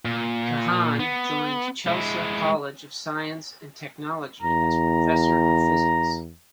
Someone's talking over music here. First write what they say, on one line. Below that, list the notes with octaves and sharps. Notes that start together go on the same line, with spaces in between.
Keohane joined Chelsea College of Science and Technology as Professor of Physics.
A#2
B3
G#3 E4
E2 A#5